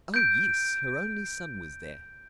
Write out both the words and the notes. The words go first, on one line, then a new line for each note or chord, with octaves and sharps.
Oh! yes: her only son was there.
G6 D7